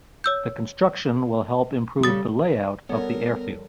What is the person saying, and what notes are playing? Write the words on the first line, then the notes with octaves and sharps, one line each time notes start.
The construction will help improve the layout of the airfield.
C#5 E6 G6
C#3 G3 A4 D#6 A6
G3 B3 A4 A#4 C#5